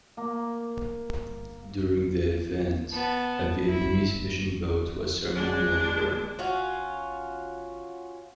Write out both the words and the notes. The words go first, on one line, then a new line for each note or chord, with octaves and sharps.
During the event, a Vietnamese fishing boat was ceremonially burned.
A#3
B3 A5
E4
G#3 D4
C#4 F4 F#4